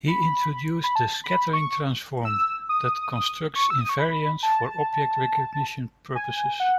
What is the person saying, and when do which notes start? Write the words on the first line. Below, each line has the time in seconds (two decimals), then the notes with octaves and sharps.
He introduced the scattering transform that constructs invariance for object recognition purposes.
0.08 B5
0.84 B5
0.96 A5
1.24 B5
1.53 C#6
2.25 E6
2.69 D#6
3.56 C#6
3.70 E6
3.81 D#6
3.89 C#6
3.99 B5
4.43 A5
6.15 G#5
6.60 F#5